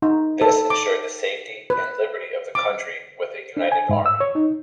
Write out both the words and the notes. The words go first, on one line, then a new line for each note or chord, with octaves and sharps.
This ensured the safety and liberty of the country with a united army.
D#4
A4
D6
B4
D6
D4
G#5
G#2
E6
C#5
D#4